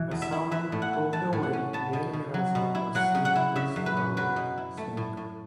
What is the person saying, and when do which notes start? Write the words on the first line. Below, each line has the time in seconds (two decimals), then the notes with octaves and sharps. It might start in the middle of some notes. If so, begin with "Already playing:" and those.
As "Salmon" pulled away, the enemy vessel was seen to explode and sink.
Already playing: B2 E3
0.11 E2
0.22 E5
0.32 E4
0.51 E3 E5
0.72 A2
0.82 F#5
0.93 E4
1.13 E3 A5
1.33 A2
1.43 F#5
1.53 C#4
1.73 B3 A5
1.93 B2
2.13 B2
2.34 F#3
2.55 B2
2.75 E4
2.95 F#3 F#5
3.15 C#3
3.25 F#5
3.35 E4
3.56 C#3 E5
3.76 F#2
3.86 B4
3.97 C#4
4.17 F#3 B4
4.36 B2
4.57 E4
4.77 A3
4.97 A2
5.17 A2